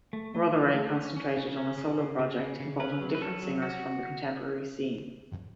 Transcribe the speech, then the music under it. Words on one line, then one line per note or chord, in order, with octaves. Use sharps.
Rotheray concentrated on a solo project involving different singers from the contemporary scene.
A3
A3
E3
A3
C#4
C#4
C#3
C#4
C#3
C#3
C#3
C#3
C#3
C#4 B4
F#3
B4
C#4 A4
F#3
C#4 F#4